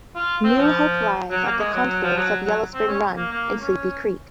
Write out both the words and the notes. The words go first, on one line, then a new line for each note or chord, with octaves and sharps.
New Hope lies at the confluence of Yellow Spring Run and Sleepy Creek.
F4
C4
F3
F#3
A#3
G#3
F#3
F#3
F3
F#3
F#3
C4
C#4
A#3
A#3
C#4